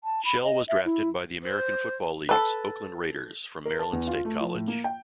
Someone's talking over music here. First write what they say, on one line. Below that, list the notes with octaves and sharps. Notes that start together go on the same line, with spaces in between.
Shell was drafted by the American Football League's Oakland Raiders from Maryland State College.
A5
B5
D#5
E5
E4
C5
A4 B4
A#4
A5
E2
F4
A3
F3
A2
A#3
G5